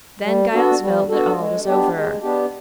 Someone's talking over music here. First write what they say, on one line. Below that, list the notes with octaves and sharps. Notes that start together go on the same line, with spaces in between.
Then Giles felt that all was over.
G3
B3 D4 F#4 A4
G3
B3 D4 F#4 A4
G#3
B3 D4 G4
G#3
B3 D4 G4